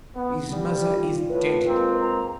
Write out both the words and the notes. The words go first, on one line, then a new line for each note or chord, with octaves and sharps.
His mother is dead.
B3
G3
F4
A2 B4
G#3 A#3 C4
A#5